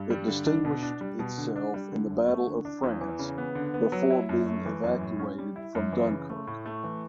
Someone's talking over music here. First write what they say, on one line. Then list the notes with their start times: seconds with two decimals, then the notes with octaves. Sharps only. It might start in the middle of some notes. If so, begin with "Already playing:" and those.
It distinguished itself in the Battle of France before being evacuated from Dunkirk.
Already playing: G2
0.10 G3
0.28 D3
0.46 D4
0.65 B2
0.83 D4
1.01 G3
1.19 B2
1.38 D3
1.56 D4
1.74 G3
1.92 D3
2.10 F#2
2.29 A3
2.47 D3
2.65 D4
2.83 E2
3.01 E3
3.19 C#3
3.38 B3
3.55 D3
3.74 B3
3.92 F#3
4.10 E4
4.29 F#2
4.46 A3
4.66 E3
4.84 F#2
5.01 A2
5.19 C#4
5.38 G3
5.56 E4
5.75 F#2
5.93 E3
6.11 C#3
6.30 A3
6.47 A2
6.66 A3
6.84 E3